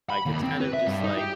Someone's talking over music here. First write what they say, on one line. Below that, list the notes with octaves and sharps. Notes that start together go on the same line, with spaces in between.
Like, it's kind of just, like
B5
D#2
C4
B4
E5
G2
D#4
G4